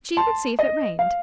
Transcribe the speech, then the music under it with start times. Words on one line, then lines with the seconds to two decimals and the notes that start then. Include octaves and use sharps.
She would see if it rained.
0.17 A5 C6
0.59 D#5
0.99 F5